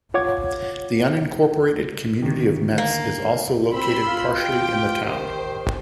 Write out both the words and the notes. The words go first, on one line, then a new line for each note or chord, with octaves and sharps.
The unincorporated community of Metz is also located partially in the town.
F4 C#5 F#5 D6 G#6
D2 D#3
A#3
C4 B5 C6 E6
F4
G4 G5
D#3 G4 C5